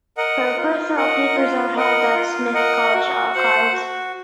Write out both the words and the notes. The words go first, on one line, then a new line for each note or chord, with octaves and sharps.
Her personal papers are held at Smith College Archives.
A#4 D#5 F#5
F4
A#4 D#5 F#5
F4
A#4 D#5 F#5
F4
A#4 D#5 F#5
F#4
C5 F#5
F#4